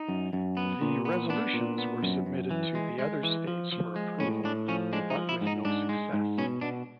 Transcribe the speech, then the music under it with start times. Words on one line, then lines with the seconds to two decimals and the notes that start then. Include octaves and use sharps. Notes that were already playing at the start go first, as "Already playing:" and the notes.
The resolutions were submitted to the other states for approval, but with no success.
Already playing: D#4
0.09 F#2
0.33 F#2
0.57 B3
0.81 A#2
1.05 B3
1.29 B3 D4
1.54 A#2
1.78 B3
2.03 F#2
2.26 F#2
2.51 E3
2.75 G#3
2.99 G#3
3.23 E3
3.47 F3
3.72 F3
3.96 G#3
4.20 A2 C#4
4.44 A2 D4
4.68 F3 C#4
4.93 G#3 D4
5.10 D#4
5.17 F3
5.29 E4
5.41 G#2
5.47 D#4
5.65 G#2 D4
5.89 G#3
6.13 G#2
6.38 B2 C#4
6.61 B2 D4